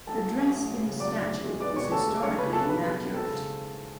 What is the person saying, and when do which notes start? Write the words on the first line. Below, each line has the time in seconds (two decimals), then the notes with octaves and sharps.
The dress in the statue is historically inaccurate.
0.07 A1 A4 A5
0.23 F#3
0.38 A1
0.53 A2
0.69 E1
0.84 C#3
1.00 F#3 D5 D6
1.16 D2
1.30 B1
1.45 G#3
1.60 B3 D5 D6
1.76 B2 C#5 C#6
1.91 D2 A4 A5
2.07 G#3
2.16 D6
2.23 C#4 C#5 C#6
2.37 C#3 B4 B5
2.53 F#1 A4 A5
2.68 B2 B4 B5
2.84 F#3 B4 B5
2.99 E2
3.14 G#1 A4 A5
3.30 C#3